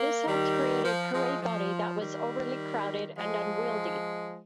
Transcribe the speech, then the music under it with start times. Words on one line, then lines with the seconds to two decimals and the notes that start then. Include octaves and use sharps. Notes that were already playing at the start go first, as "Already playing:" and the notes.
This helped create a parade body that was overly crowded and unwieldy.
Already playing: A#3
0.27 D#3 G3
0.84 F3
1.14 F3 G#3
1.43 F3
2.00 D#3 G3
3.17 F3 G#3